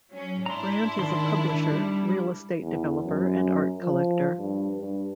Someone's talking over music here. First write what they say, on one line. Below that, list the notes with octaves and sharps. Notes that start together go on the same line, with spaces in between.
Brant is a publisher, real estate developer and art collector.
F#3 C#4
G#2 D4 E4 A#5 C6
D#3 C6
G3
E2
F#2
F3
G2
G2